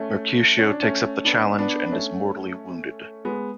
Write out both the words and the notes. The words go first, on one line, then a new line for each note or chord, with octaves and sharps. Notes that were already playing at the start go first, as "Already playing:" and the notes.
Mercutio takes up the challenge and is mortally wounded.
Already playing: A3 C#4
C#4
D4
A3 C#4
B3 D4
B3 D4
B3
A3 C#4
G#3 B3